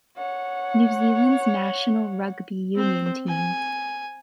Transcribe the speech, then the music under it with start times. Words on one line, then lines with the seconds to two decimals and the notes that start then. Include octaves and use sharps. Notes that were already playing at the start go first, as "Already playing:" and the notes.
New Zealand's national rugby union team.
0.17 C#5 F#5
2.75 C4 C5
3.28 G#5